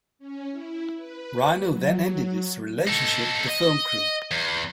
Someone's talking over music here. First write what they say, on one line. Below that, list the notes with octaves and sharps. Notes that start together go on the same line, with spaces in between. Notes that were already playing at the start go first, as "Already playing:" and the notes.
Rhino then ended its relationship with The Film Crew.
C#4
E4
B4
F#3
D#4 A4
D#5
E2